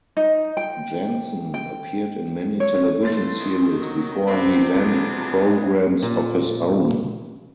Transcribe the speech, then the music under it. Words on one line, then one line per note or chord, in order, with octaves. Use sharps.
Janssen appeared in many television series before he landed programs of his own.
D#4
G5
G5
C#5
E3 A3 C6 A6
D#3
F#3 D#4
C3 C4 F#5 B5
F2 B2 B3 D4 G#4
A#2